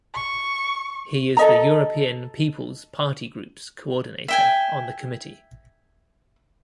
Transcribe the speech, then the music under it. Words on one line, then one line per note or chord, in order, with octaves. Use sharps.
He is the European People's Party Group's coordinator on the committee.
C#6
A4 D#5 A#5
E5 G5 G#5